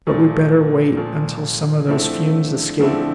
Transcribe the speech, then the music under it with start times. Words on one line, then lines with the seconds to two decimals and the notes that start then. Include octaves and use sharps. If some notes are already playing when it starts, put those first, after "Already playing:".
But we'd better wait until some of those fumes escape.
0.07 A#2 F3 A3
0.97 A#2 F3 A3
1.88 D3 F3 A3 C4 E4
2.79 D3 F3 A3 C4 E4